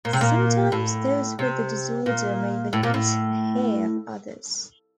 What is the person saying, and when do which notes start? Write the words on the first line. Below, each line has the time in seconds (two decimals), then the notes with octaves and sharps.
Sometimes those with the disorder may even eat the hair of others.
0.05 A#2
0.13 C3
0.21 A#2
0.72 A2
1.39 C3
2.06 A#2
2.73 A2
2.83 A#2
2.94 A2